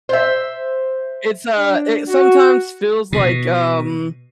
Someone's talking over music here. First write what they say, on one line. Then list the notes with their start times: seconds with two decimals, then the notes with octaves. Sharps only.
It's, uh, it sometimes feels like, um,
0.09 C5 E5
1.57 D4
2.08 F#4
3.13 B2